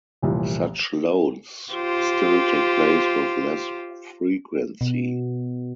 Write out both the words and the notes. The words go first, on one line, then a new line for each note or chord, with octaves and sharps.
Such loads still take place with less frequency.
F1 C2 A#2 E3 F3
F4 G4 C5
B2